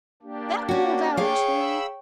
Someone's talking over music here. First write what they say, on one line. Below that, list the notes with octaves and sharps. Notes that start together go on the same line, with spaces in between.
That ruled out too?
A#3 D4 G4
C#4 F#4
G#4 C#5 F5 G5
B5 E6